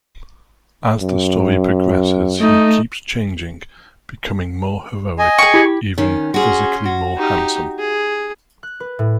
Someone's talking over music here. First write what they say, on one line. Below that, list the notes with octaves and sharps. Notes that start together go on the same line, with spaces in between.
As the story progresses he keeps changing, becoming more heroic, even physically more handsome.
F#2
A3 D#4
D#5 G#5
G#4 G5 C#6
E4 G4
D#3 C#4
C#4 F#4 G#4 C6
F#4
D#4 G4
G#4
F#6
B4
A2